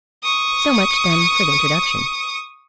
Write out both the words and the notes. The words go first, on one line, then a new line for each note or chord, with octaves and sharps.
So much, then, for the introduction.
C#6 D#6